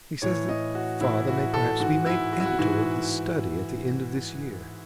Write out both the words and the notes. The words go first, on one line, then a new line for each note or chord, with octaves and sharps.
He says that father may perhaps be made editor of The Study at the end of this year.'
A2 E3 C#5
D#5
F#4
A2 E3 E4
F#4
A4
G#2 E3 F#4
E4
F#4
E4
F#4
G#2 E3 F#4